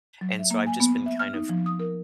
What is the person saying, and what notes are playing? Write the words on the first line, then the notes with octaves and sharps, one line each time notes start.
and so, I've just been kind of
F#3
E5
A#3
G#5
B3
E5
F6
D#4
F3
D#6
A#4